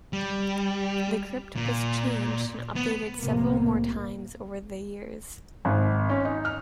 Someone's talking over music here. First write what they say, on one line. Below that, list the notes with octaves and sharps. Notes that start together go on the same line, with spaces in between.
The Crypt was changed and updated several more times over the years.
G3
A#2
B3
C2 F2 A2 C3 A#3
G#1
C#4
D#4
F6